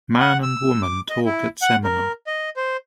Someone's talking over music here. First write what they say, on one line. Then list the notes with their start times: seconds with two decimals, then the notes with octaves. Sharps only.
Man and woman talk at seminar.
0.20 F#5
0.43 E6
0.83 D6
1.09 D#5
1.25 E4
1.62 F#5
1.84 A#4
2.27 D#5
2.56 C5